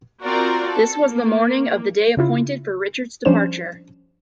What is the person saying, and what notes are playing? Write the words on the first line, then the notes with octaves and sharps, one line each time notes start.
This was the morning of the day appointed for Richard's departure.
C4 F4 F#4 A#4 D5
A4
A#3
C#3 E4 F4
F3 G3 C#4 D4 C5 E7